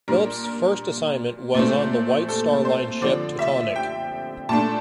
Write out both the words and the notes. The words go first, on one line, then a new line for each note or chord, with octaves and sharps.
Phillips's first assignment was on the White Star Line ship "Teutonic".
A#2 G3 D4 A#4
A#4
A#2 A3 C4
A4
C5
D3 F3 C4 D5
E5
G5
A#2 A3 D4 A5